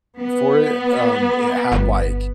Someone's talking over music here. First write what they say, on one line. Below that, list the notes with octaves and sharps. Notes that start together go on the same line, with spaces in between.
for it, um, it had, like
B3
G1